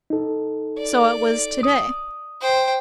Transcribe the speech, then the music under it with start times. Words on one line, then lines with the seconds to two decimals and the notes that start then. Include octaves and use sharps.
So it was to-day.
0.10 D#4 A4
0.78 D5
1.63 D#6
2.41 C5 G5